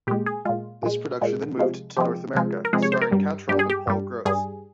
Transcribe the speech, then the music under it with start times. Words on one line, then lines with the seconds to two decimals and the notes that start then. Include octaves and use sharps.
This production then moved to North America, starring Cattrall and Paul Gross.
0.07 A#2 G#3 G4
0.26 G#4
0.45 A#2 G#3 F4
0.83 A#2 G#3
1.21 A#2 G#3
1.59 C3 F3 G#3
1.97 C3 F3 G#3 G4
2.35 C3 F3 G#3
2.65 A#4
2.73 C3 F3 G#3 G#4
2.83 C#5
2.92 C5
3.02 A#4
3.11 G2 G3
3.49 G2 G3 G4
3.59 G#4
3.70 G4
3.87 G2 G3
4.25 G2 G3 G#4